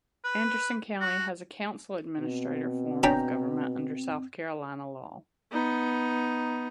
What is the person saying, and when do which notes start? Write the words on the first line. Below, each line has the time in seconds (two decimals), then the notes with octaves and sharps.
Anderson County has a Council-Administrator form of government under South Carolina law.
0.24 B4
1.01 F#4
2.20 B2 C4
3.03 C#4 D4 G5 A#5 B5
5.52 B3 D#4